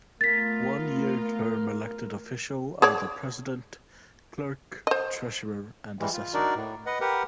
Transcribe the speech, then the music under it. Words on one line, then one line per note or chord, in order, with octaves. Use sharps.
One year term elected official are the president, clerk, treasurer and assessor.
A3 B3 F4 A#4 A6 B6
G#4 C#5 D5
C5 D#5
E3 G3 G#3
F4
D4 D#4 F#4 A#4 D5
A2
B4 D#5 F#5
G4 A#4 B4 F#5